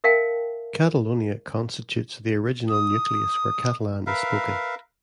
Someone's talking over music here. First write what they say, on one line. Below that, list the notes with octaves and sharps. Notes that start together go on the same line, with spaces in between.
Catalonia constitutes the original nucleus where Catalan is spoken.
A#4 E5 F5 G5 A5
D#6
A#4 B4 E5 F5